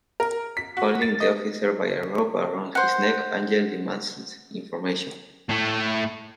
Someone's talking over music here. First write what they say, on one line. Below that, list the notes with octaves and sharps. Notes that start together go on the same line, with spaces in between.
Holding the officer by a rope around his neck, Angel demands information.
A#4
B6
F#4
A6
D#5
C5 F#5
A2 A3